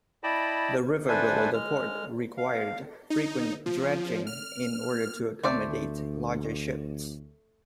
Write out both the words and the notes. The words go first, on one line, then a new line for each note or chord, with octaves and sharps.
The river below the port required frequent dredging in order to accommodate larger ships.
E4 D5 D#5 G5 A5 B5
D4 A4 B4 C5 E5 G#5
G#3 F6
F5
D#4
F3
F6
D2 A3 C5 D5